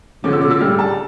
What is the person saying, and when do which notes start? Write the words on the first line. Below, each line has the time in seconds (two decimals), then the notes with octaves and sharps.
You're here!
0.24 D3 F3 C#4 D6
0.33 E6
0.41 D6
0.51 E6
0.61 C#3 G3 D4 F6
0.79 A5